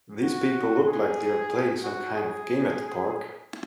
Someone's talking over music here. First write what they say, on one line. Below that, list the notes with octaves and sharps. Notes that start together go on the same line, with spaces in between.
These people look like they are playing some kind of game at the park.
F#4
G#4
F#4
G#4